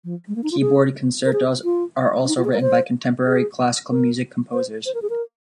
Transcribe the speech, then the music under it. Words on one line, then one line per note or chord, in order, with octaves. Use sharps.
Keyboard concertos are also written by contemporary classical music composers.
F3
G#3
A#3
D#4
F4
G#4
A#4
G#4
F4
C4
D#4
F4
G#4
A#4
C5
G#4
A#4
C5
C5
A#4
G#4
A#4